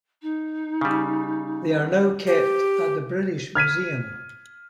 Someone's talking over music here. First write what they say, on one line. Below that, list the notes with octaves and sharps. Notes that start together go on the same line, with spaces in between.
They are now kept at the British Museum.
D#4
C#3 G3
G4
F6 G#6 B6 D#7